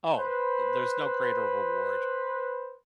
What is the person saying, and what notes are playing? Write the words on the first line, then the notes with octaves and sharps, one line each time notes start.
Oh, there's no greater reward.
B4 C5